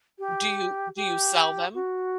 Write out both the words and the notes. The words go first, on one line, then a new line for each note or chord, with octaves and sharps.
W do you do you sell them?
G4
G4
F#4